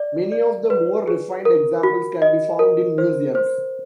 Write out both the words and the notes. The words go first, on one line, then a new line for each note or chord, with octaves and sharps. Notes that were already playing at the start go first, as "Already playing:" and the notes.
Many of the more refined examples can be found in museums.
Already playing: D5
D5
B4
G#4
A#4
F#4
D#5
A#4
C5
C5